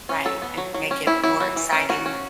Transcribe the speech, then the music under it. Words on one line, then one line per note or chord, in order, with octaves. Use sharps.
Right, and make it more exciting.
C#4
F#3 A4
B3
F#3
F#3
C#4
C#4 E4
F#3 E4
F#3
E3
C#4
C#4 F#4
C#4